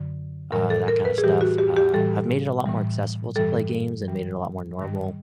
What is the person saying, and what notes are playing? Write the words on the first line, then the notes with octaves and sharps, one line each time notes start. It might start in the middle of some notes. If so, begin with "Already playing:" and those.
uh, that kind of stuff, uh, have made it a lot more accessible to play games, and made it a lot more normal,
Already playing: F#2 D3 F#3
A2 E3 G3 A#4
A4
A#4
B4
G#4
A2 E3 G3 G4
F#4
G4
G4
A2 E3 G3 A4
A2 E3 G3
G2 E3 G3 A4
G2 E3 G3
G#2 D#3 G3